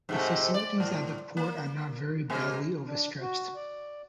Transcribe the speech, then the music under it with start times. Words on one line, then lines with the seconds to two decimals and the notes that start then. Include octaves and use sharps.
The facilities at the port are now very badly overstretched.
0.09 G#2 C3 A3
0.54 D5
0.80 A2
1.37 A#3
2.30 B2 G#3 A#3
2.86 D4
3.21 F#4
3.56 D5